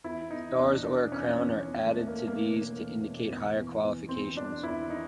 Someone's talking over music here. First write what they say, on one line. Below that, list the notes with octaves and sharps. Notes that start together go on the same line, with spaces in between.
Stars or a Crown are added to these to indicate higher qualifications.
E2 E4
E2 D#4
E2 D4
B2 D4
E2 C#4
E2 C#4
E2
A3
E2
A#3
E2
A#3
B2
E2
B2
E2
E2
E2
E2 C4
E2 D4
E2 E4
D#4